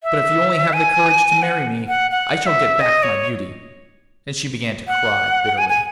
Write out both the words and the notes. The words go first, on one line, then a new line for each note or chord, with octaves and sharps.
But if you only have the courage to marry me I shall get back my beauty.' And she began to cry bitterly.
E5
G#5
F#5
F#5
F#5
E5
D#5
C#5
F#5
G#5
G#5